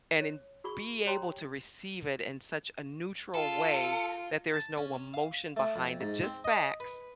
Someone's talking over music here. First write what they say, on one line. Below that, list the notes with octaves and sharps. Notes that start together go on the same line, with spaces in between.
and in be able to receive it in such a neutral way that there's no emotion behind it, just facts,
C#5
F#4 G#4 B5 C#6
G4 C#5 G5 A#5 C6
F4 A4
A5
C#4
F5
A3
F2
G#2
C4
D#5
B4